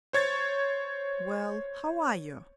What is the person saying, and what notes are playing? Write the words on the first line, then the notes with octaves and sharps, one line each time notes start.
Well, how are you?
C5 C#5 G#6 A6